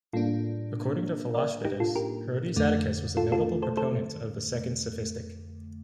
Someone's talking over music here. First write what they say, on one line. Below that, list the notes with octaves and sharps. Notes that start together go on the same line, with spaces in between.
According to Philostratus, Herodes Atticus was a notable proponent of the Second Sophistic.
A2 G3 A#3 D4 F4 A4
A#4 D5
D#4 G4
F4 A4
G4 A#4
F2 D3 A3
F4 A4
F4 A4
A4 C5
A4 C5